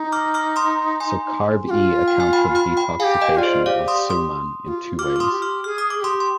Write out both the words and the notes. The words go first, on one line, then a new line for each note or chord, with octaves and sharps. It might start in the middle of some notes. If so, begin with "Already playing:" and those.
So CarbE account for the detoxication of soman in two ways.
Already playing: D#4
D6 F6
D6 F6
C6 D#6
G#5 C6
G4
F4
G5
G#5
G5 B5
G5 B5
G5 B5
G4 G#4 F5 G#5
D#5 G5
G4
F4 D5
G#4 C5
G4 D5 F5
C6 D#6
C6 D#6
G4
F4
F4 G4 D6 F6
D6
C6 D#6
G4
D6 F6
G#4 F6
D#6
D6
G#4
G4 C6 D#6
C6